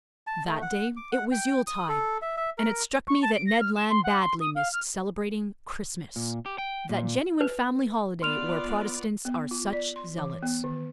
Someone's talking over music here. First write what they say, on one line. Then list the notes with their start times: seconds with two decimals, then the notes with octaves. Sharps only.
That day it was yuletide, and it struck me that Ned Land badly missed celebrating "Christmas," that genuine family holiday where Protestants are such zealots.
0.27 A5
0.47 A3
0.62 F#5
0.97 D6
1.12 F#5
1.32 G5
1.67 D#6
1.89 A4
2.22 E5
2.37 E5
2.58 A#4
3.07 C#6
3.22 A5
3.34 D7
3.47 A#6
3.60 F6
3.76 E7
3.89 C6
4.03 F#5
4.20 C6
4.40 D#6
4.55 F5
4.72 F6
6.16 A#2
6.46 G4
6.58 G5
6.89 A#2
7.41 B4
8.22 B3 F4 D5 C6 F6 F7
9.25 B3
9.51 F4
9.73 D5
9.96 C6
10.18 E3
10.43 B3
10.64 D#3